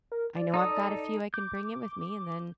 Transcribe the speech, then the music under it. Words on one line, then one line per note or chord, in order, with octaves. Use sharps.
I know I've got a few I can bring in with me, and then,
A#4
D5
D#4 A4 D#6
D6 G6